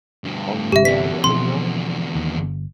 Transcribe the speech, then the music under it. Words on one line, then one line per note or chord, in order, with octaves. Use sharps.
On their wedding night?
D2 G2
G1 C3 G4 E5
E2 D3 B6
B2 F3 C4 C6
D#2
G1